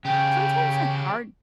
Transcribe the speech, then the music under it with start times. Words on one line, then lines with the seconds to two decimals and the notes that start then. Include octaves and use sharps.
Sometimes it's hard
0.05 C#3 G4 C#5 G5